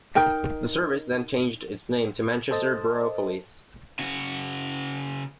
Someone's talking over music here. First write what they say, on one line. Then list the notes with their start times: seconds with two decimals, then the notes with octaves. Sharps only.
The service then changed its name to Manchester Borough Police.
0.15 D#4 A#4 G5
2.51 A4 C5 D#5 A5
3.99 C#3 F#4